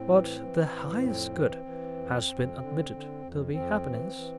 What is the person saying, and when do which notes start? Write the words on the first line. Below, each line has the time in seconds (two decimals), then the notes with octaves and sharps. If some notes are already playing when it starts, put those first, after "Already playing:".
'But the highest good has been admitted to be happiness.'
Already playing: A2 C4
0.10 E3
0.40 E3
0.72 A2
1.03 F2 C4
1.34 E3
1.65 E3
1.97 F2
2.28 F2
2.59 D3
2.91 D3
3.22 F2
3.52 F2 C4
3.85 E3
4.15 E3